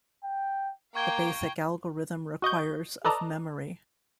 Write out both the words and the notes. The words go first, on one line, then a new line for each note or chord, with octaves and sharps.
The basic algorithm requires of memory.
G5
A#3 F5 G5 A#5 C#6 G#6 G7
F#4 D#5 C#6 G6
A4 B4 D5 D#5 A5 A#5